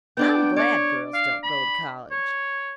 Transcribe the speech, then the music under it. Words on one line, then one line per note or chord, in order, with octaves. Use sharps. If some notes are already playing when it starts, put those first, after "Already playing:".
"I'm glad girls don't go to College."
B3 D4 D5 G5
C#5 D5
F5
B5
C#5